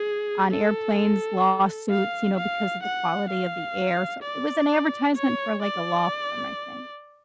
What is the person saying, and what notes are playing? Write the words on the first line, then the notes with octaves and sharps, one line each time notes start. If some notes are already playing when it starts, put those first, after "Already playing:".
on airplanes, lawsuits, you know, because of the quality of the air, so it was an advertisement for, like, a law firm, I think.
Already playing: G#4
A4
F5
F5
F#5
F5
D5
C#5
D5